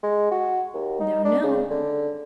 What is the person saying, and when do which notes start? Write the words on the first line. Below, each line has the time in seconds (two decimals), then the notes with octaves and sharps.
No, no.
0.03 G#3
0.31 F#4
0.74 D#2
1.00 D#4
1.25 D4
1.43 C#3
1.71 D3